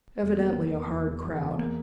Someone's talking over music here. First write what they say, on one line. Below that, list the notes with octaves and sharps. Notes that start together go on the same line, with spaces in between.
"Evidently a hard crowd."
E1
A#3
E2
E1
E1
E1
E2
E2
A#3